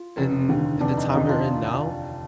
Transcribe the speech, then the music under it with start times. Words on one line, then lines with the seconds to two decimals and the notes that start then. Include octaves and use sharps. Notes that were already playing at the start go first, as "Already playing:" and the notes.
in in the time we're in now,
Already playing: F4
0.17 F1
0.49 D#2 D3
0.81 F1 D4
0.97 D#4
1.13 D#2 D3 D#4
1.29 D4 F4